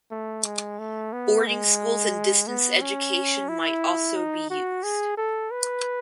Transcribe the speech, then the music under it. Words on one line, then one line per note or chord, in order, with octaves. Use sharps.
Boarding schools and distance education might also be used.
A3
G#3
A3
B3
G#3
B3
C#4
E4
D#4
F#4
G#4
A4
B4